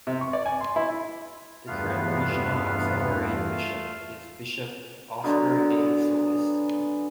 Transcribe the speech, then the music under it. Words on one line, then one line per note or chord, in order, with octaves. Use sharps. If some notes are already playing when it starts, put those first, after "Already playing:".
The current regional auxiliary bishop is Bishop Oscar A. Solis.
C3
C#6
D5
G#5
C6
E4
E2 G2 A3 B3 F4 F6
D3 F#3 G#3 B3